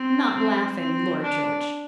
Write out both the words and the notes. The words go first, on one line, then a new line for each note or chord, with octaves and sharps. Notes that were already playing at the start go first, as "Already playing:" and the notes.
"Not laughing, Lord George."
Already playing: C4
C4
C4
D4